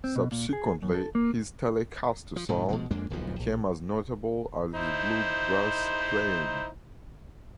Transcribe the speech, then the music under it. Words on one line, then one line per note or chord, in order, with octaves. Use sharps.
Subsequently, his Telecaster sound became as notable as his bluegrass playing.
C4
B2
A#2
G#4
F#2
A4
A#3
F3
G#2 C3 D#3
B2 F3 G#3
F2 G#3 A#3 D4
D1 B1 E2 F3
A#1
D#4 E4 C5